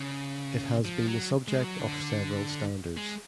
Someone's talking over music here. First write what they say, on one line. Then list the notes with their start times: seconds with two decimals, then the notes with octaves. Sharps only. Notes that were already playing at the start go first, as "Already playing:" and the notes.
It has been the subject of several standards.
Already playing: C#3
0.85 F3
1.08 F#3
1.48 G#3
1.64 F#3
1.79 D3
2.97 G#3